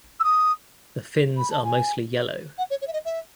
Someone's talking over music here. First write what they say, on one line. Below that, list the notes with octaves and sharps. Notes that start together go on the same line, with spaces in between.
The fins are mostly yellow.
E6
D#6
B5
A5
G#5
F#5
C#5
C#5
E5
D#5
E5